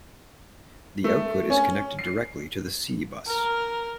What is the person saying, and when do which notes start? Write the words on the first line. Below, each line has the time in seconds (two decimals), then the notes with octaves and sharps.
The output is connected directly to the C bus.
1.04 A3
1.50 C#4
1.99 C7
3.27 A#4